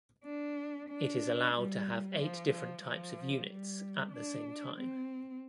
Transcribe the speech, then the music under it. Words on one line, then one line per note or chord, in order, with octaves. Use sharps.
It is allowed to have eight different types of units at the same time.
D4
D4
G3
F3
F3
F3
G3
D4
C4